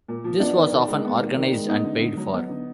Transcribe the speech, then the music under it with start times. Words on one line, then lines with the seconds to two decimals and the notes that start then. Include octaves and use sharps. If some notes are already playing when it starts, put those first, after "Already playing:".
This was often organized and paid for.
0.08 A#2
0.24 F3
0.40 B3 D4
0.56 D#3
0.72 D#3
0.88 G#3
1.04 B3
1.21 D#3
1.37 D#3
1.53 G#3
1.69 B3 D#4
1.84 D3
2.01 D3
2.17 F#3
2.33 B3
2.49 D3